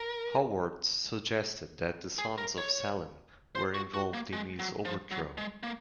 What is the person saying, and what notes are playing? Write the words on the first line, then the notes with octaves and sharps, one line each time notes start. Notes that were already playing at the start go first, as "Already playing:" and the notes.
Howorth suggested that the sons of Selim were involved in his overthrow.
Already playing: A#4
G#4
A#4
C#5
C5
F#4
F#4
A#3
G#3
F#3
F3
F#3
G#3
A#3